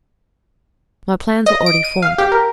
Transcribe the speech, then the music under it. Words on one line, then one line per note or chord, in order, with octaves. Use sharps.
My plans were already formed.
D#5
D7
D#7
F5
G4
A#4